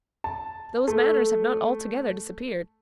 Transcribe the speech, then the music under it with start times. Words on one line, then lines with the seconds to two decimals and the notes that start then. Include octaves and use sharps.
Those manners have not altogether disappeared.
0.24 A5
0.88 A3